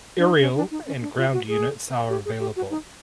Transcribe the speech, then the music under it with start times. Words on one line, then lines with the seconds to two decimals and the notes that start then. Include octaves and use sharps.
Aerial and ground units are available.
0.19 D4
0.25 D#4
0.41 C#4
0.56 D4
0.71 D#4
0.87 C#4
1.02 D4
1.18 F4
1.33 F#4
1.49 G#4
2.10 G4
2.25 G#4
2.40 G4
2.56 F#4
2.71 D#4